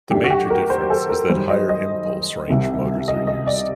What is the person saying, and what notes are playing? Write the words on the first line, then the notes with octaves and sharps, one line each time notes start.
The major difference is that higher impulse range motors are used.
F#2 D#3 A3 D4 G4
F#4
G4
A#4
C5
A4
A#4
F#2 D#3 G3 C5
D#5
D#5
C2 C3 D#3
D#5
D#5
D5